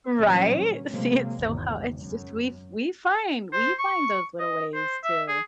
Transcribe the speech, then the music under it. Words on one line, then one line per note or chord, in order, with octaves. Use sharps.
Right? See, it's so How it's just we f we find We find those little ways to
A#2 D3 E3 F#3 G3 C#4
C3 E3 F#3 G#3 A#3 C4
G#1 E2 C#3
F#2
C5
C#6
D#5
C5
E5
G#4